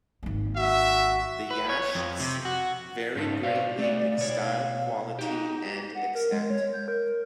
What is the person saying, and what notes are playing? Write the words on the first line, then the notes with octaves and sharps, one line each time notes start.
The "Yasht"s vary greatly in style, quality and extent.
G#1 A#3
F#4 E5
B4
C#5
F2
C3
F#4
G#2 C#4 D#4 A4
B2 C5 D5 F5
A3 F#4
B2 C#5
F5
D#4 F#4 G4
F#5
A#4
G#3
C#5
G6
A#4